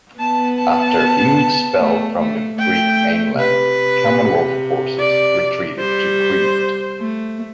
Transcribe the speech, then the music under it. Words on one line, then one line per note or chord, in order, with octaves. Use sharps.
After being expelled from the Greek mainland, Commonwealth forces retreated to Crete.
B3 A5
A5
A3
A3
A3 G5
C3 B4
D5
G3 C5
A3